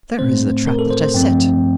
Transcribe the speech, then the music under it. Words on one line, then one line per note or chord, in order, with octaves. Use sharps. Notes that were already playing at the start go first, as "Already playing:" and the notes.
There is the trap that I set!
A2 A3 C4 C5
A#4
A4
C5
C5
G2 F3 A3 C4 G5